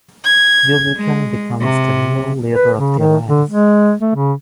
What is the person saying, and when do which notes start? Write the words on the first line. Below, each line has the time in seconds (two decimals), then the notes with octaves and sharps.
Yue Buqun becomes the new leader of the alliance.
0.24 G#6
0.97 G#3
1.61 C3
2.53 B4
2.78 C#3
2.99 D#3
3.27 D3
3.50 G#3
4.00 A3
4.15 C#3